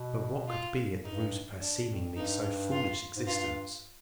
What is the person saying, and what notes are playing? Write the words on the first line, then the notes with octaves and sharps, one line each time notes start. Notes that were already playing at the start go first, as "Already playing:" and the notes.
But what could be at the root of her seemingly so foolish existence?
Already playing: B2
F4
G2 D#4
D4
F2
G2 D#4
F4
G#2
G2 F4